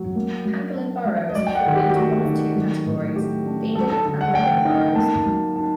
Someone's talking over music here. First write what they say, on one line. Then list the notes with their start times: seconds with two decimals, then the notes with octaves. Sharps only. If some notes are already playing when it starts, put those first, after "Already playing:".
Pangolin burrows fall into one of two categories: feeding and living burrows.
Already playing: F#3
0.15 A#3
0.45 F#3
0.75 D4
1.05 F#3
1.30 D#5
1.35 F#3 D5
1.47 G5
1.55 F#5
1.66 D#3
1.75 G4
1.89 G4
1.95 A3 F#4
2.25 D#3
2.56 F#3
2.86 A2
3.15 A3 G4
3.45 D4
3.75 F#3 A4
3.90 A4
4.05 D3 A4
4.21 F#5
4.35 A3 G5
4.65 D#4
4.95 A#3 A5
5.25 F#3
5.56 D#4 A5